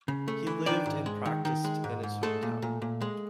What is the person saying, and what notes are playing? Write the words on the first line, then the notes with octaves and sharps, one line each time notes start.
He lived and practised in his hometown.
C#3
A3
E3
D#3 D4 D5
G#2
G#3
D#3
D#3
G#3
G#2
G#2
G#3 A3 A4
A#2
A#2
A#2
G#3